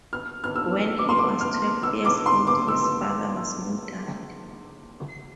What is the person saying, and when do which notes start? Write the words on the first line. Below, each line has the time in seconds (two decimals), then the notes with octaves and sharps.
When he was twelve years old his father was murdered.
0.13 F6
0.44 F6
0.56 E6
0.98 D6
1.09 C6
1.19 D6
1.41 F6
1.83 E6
2.05 D6
2.26 C6
2.47 D6
2.68 E6